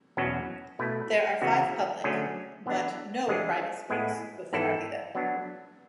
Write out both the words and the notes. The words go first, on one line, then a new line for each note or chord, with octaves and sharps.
There are five public but no private schools within Arleta.
E2 B2 F#3 C#4 F#4
B2 A3 E4 B4
C#3 E3 B3 F#4
D3 F#3 A3 C#4 G#4
E3 B3 D4
E3 G#3 D4 G#4
A2 G#3 B3 E4 G#4
G#2 E3 B3 E4 A4
F#3 B3 D4